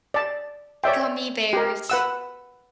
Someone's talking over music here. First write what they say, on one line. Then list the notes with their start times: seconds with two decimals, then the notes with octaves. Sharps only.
Gummy bears,
0.14 D5 A5
0.84 C#5 D5 E5 G5
1.53 G4 A#4
1.90 B4 F#5 E6